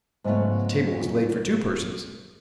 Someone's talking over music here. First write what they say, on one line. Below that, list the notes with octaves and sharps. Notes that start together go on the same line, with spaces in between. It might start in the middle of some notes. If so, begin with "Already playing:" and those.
The table was laid for two persons.
G#2 C#3 F#3 A3 B3